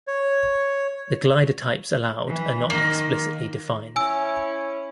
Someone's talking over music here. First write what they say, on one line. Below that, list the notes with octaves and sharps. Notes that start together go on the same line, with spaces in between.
The glider types allowed are not explicitly defined.
C#5
E3
D#3 A#3
C#4 E4 G#5 E6